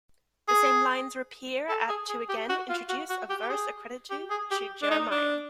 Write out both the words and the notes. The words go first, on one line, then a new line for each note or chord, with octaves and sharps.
These same lines reappear at to again introduce a verse accredited to Jeremiah.
G#4
A4
G#4
G#4
G4
F#4
F4
F#4
F#4
G4
G4
G#4
G4
G#4
G4
D4
D#4
D4